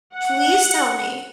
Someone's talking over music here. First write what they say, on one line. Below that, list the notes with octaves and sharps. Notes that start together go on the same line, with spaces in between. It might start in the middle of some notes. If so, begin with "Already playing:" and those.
Please tell me.
F#5